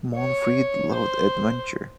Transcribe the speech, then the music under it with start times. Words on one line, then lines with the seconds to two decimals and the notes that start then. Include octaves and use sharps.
Monfreid loved adventure.
0.16 C#5
0.92 C5